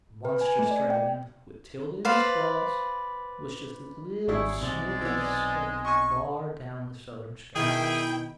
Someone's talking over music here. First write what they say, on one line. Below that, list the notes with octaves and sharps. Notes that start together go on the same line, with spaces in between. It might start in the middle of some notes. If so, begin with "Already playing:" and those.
The monstrous dragon with Tilda in his claws was just a little smoky speck far down the southern sky.
B4
G#5
A3
D5
G5
B4 C5 D5 F5
G#1 G3 D4 E4 G#4 C#5
B1 C3 F#3 G#3 D5
E3 B3
D#5 G#5 C#6
B2 D#3 E4 G#4 G5